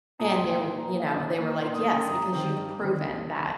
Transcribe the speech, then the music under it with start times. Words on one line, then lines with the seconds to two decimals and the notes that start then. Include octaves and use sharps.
and w you know, they were like, "Yes, because you've proven that,
0.20 A#2 A#5 D#6
0.36 G5 C6
0.44 A#3
0.51 G5 C6
0.67 A#2 C6
0.78 A#5
0.89 A#3 G5
1.00 F5 A#5
1.15 A#2
1.38 A#3
1.62 A#2 C6
1.75 D#6
1.85 A#3 G5 C6
2.09 G2 A#5 D#6
2.33 D#3 C4
2.57 G2
2.80 D#3 C4